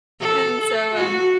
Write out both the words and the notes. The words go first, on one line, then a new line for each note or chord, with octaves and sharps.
And so, um
A4
A4
F#4